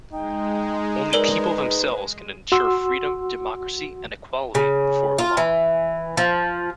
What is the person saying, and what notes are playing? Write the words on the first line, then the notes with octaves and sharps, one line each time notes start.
Only people themselves can ensure freedom, democracy and equality before the law.
G#3 D#4 G5
A#4 B4 D5 G7
F#4 F#5 C6 E6
C#3
F4
E3
F3